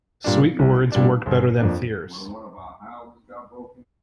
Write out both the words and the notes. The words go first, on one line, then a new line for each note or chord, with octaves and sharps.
Sweet words work better than fierce.
A#2 G3 D4
C2
A#2 G3 D4
G1
F2 F3 A#3 D4